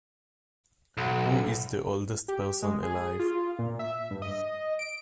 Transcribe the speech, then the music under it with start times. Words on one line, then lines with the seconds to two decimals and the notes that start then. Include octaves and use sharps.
Who is the oldest person alive?
0.97 B1
2.28 G4
2.62 G#3
2.83 G#4
3.20 F4
3.59 A#2
3.79 E5
4.11 G2
4.22 D#5
4.79 D7